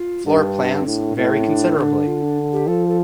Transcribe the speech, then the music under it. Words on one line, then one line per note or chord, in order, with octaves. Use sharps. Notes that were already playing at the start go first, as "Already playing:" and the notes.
Floor plans vary considerably.
Already playing: F4
G2 D4
C4
A2 D4
A2 C4
C4
D4
D3
F4
D4
G4
F3 A4
A4